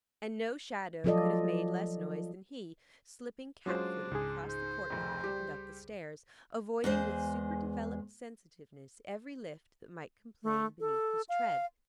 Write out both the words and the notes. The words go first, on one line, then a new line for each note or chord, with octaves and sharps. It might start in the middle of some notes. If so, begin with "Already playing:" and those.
And no shadow could have made less noise than he, slipping cat-footed across the courtyard and up the stairs, avoiding with super-developed sensitiveness every lift that might complain beneath his tread.
F3 F#3 F4 A4 D5 D#5
F#3 G#3 C#4 D4 F4 C5
C#2 G#2 G#4
C5
F1 F2
G3 G4
E2 G#3 C5
A3
A4
F5